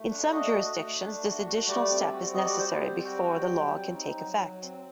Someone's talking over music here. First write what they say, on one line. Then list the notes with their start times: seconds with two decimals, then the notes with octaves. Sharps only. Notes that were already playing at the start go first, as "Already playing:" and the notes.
In some jurisdictions, this additional step is necessary before the law can take effect.
Already playing: A3
0.10 D4
0.32 F#4 D#5
0.54 A3
0.77 A3
1.00 D4
1.23 F#4
1.45 A3
1.68 G3 D5
1.90 C4
2.14 F#4
2.34 G3 D#5
2.46 D5
2.59 G3 C5
2.81 C4
3.04 F#4 G5
3.27 G3
3.50 F#3
3.72 C4
3.94 D#4
4.17 F#3
4.40 F#3
4.63 C4